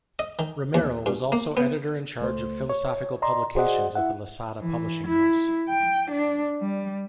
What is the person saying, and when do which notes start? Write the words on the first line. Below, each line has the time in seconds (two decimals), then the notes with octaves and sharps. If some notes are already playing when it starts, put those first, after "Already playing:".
Romero was also editor in charge of philosophical publications at the Losada publishing house.
0.19 D#5
0.39 D#3
0.74 D#2
1.06 G2
1.32 A#3
1.57 B3
2.20 C#2 A3 C5
2.70 C#5
3.22 D5 D#5 A#5 C6
3.55 F#4 G#4 C5 D5 D#5 F#5
3.95 E4 E5 F#5
4.61 E3
5.07 E4
5.70 G5
6.11 D4
6.61 G3